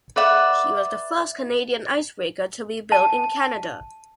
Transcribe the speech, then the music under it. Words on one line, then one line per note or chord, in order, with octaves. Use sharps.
She was the first Canadian icebreaker to be built in Canada.
B4 D5 E5 F#5
A5